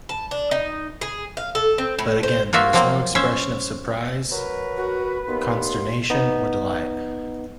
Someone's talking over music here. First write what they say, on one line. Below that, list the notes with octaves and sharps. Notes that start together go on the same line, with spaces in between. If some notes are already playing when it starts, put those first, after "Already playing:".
But again there was no expression of surprise, consternation, or delight.
A5
D4
D#4
G#4
F5
A4
C4
A2
C5
A#3 F4 F#4 E5
F3 F#3 A#3 C4
C#4 C5 E5
F#3 A#4 B4
F#4
D#2 B3 C6
B3 D#4